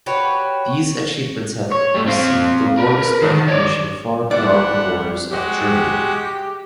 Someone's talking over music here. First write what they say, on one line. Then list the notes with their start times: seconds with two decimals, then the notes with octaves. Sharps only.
These achievements have received the warmest recognition far beyond the borders of Germany.
0.06 F#4 G4 B4 C#5
1.72 C#5
1.94 G3 A3
2.07 C4 F5
2.77 A#4 B4
3.22 D3 D#3
3.49 C#5 D5
4.31 E3 G3 D4 D5 F#5
5.32 G#3 F#4 G4